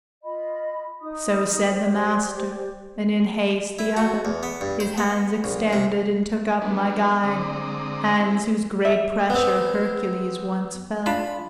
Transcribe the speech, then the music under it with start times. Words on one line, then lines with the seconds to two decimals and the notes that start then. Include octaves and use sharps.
So said the Master; and in haste the other His hands extended and took up my Guide,-- Hands whose great pressure Hercules once felt.
0.23 F4 D#5 B5
1.01 D#4 D#6
1.70 G4 C5 D5
3.79 E4
3.97 F#4
4.25 E2
4.43 B3
4.61 G2
4.80 C5
4.98 B3
5.44 A#1
5.73 C3
6.62 F#3 G#3 B3 D4
7.24 D3 G#3 C4 D5 A#5 D#6
8.20 G#3 C4 E4
8.85 E5
9.30 B3 C4
11.06 D4 F4 B5